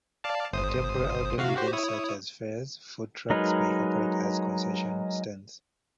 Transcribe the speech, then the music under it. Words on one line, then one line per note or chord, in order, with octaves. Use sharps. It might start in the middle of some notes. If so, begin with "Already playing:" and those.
At temporary outdoor events such as fairs, food trucks may operate as concession stands.
D5 F5 A5
G1 C5 D#6
C3 F#4 F5
F#4 G4 C5
E4 C#5 D#6
F#3 G#3 D#4 A#4 B4